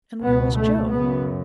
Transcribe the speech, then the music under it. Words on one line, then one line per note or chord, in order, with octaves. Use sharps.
And where was Joe?
C#2 B2 B3
A3
F#2 C#3 B3